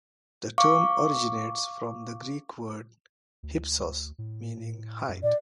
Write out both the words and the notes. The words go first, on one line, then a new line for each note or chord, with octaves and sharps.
The term originates from the Greek word "hypsos" meaning height.
F5 C#6 D6
D2
A2
F#2
A#2 D5